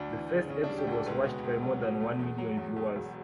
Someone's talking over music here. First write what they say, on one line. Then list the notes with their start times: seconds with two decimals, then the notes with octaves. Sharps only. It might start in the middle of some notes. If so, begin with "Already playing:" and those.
The first episode was watched by more than one million viewers.
Already playing: D2 D4
0.12 E3
0.30 C#3
0.49 C#3 C#4
0.64 D4
0.69 G3
0.78 G4
0.87 D2
0.92 A4
1.06 C#2 B4
1.25 B2
1.43 C#2
1.63 F#3
1.82 B2
2.00 A3
2.19 E2
2.38 F#3
2.57 E2
2.76 E2
2.96 E1